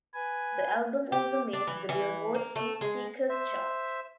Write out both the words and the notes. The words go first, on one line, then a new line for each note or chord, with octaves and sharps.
The album also made the "Billboard" Heatseekers chart.
B4 G#5
G4
D4
E3
E3
A#3
A3
G#3
C5 E5